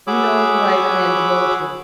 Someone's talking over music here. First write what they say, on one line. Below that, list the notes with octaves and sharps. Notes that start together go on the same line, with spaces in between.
You know the right men to go to.
F#4 G#4 C#5 B5 D6 E6